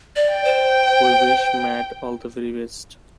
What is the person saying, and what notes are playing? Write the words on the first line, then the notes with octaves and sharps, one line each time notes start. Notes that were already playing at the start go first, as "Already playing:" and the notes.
We wish Matt all the very best.
D5
G5
C5